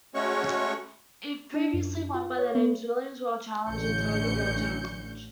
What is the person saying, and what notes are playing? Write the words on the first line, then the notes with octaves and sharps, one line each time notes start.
It previously went by the names Williams World Challenge and Target World Challenge.
G#3 A3 C#4 F#4 C#5 C#6
D4
F#2
F4
C#5
B3
A1 A2 D3 C#4 G6 C#7